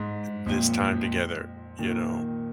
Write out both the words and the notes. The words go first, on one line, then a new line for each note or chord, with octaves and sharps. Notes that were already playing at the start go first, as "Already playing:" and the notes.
this time together," you know?
Already playing: G#2
F2 A#2
A#2 D#3